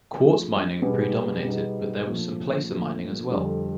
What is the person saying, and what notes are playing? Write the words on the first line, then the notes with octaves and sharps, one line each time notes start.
Quartz mining predominated but there was some placer mining as well.
F3 A3 D4 F4 G#4
B2 G3 B3 D#4 G#4
B2 G3 B3 D#4 G#4
A#2 F3 A3 D4
A#2 F3 A3 D4
F2 D3 G3